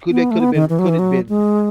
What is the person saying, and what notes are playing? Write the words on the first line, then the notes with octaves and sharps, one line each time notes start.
could they could have been could it have been,
B3
A3
B3
D#3
E3
F#3
E3
F#3
G#3